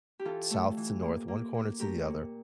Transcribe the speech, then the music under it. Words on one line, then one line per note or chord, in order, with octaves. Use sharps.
south to north, one corner to the other
G4
E3 F4 A4
A3
E3
A#3
A#3
A#3
A3 G4 A#4
A#2